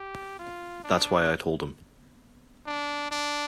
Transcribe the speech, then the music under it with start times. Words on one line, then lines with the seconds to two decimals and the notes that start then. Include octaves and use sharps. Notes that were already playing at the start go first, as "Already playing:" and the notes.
That's why I told him.
Already playing: G4
0.39 F4
0.84 D4
2.66 D4
3.11 D4